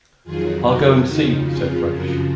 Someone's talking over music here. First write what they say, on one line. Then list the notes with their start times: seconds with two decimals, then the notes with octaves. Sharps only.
"I'll go and see," said French.
0.24 F2 D#3 F#3 F4 G#4
0.66 F#4 A#4
1.08 F2 C#3 F3 D#4 F#4
1.51 F4 G#4
1.92 F#2 C#3 F3 F#4 A#4